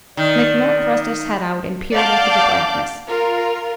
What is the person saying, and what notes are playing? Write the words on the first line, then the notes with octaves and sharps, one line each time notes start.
McNutt thrust his head out and peered into the blackness.
D#3 D5
D5 F5 F#5 A5 D6 G6
F4 A#4